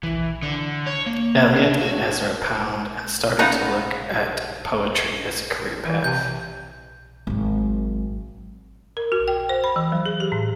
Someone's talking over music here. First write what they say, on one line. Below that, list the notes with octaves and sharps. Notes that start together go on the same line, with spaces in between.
Eliot and Ezra Pound and started to look at poetry as a career path.
E3
D3
C#5
A#3
D4
F#4
C#3 B3 D#4 F#4 B4 A#5
E3
C3 G6
G#1 F#3
A#4
F#4
G5
C5
B5
E3
F#3
G#4
G4
A2